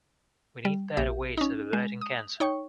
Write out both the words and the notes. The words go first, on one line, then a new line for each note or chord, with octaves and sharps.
We need better ways of averting cancer.
G3
A#1 G4 E5
C#4 D#4
G#3
D#6
D#4 C#5 G5 C#6